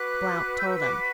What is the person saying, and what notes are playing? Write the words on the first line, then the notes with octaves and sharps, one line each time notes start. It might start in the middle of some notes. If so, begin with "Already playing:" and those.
Blount told him.
Already playing: F#4 B4 D6 F#6
E6 G6
G6
D6 F#6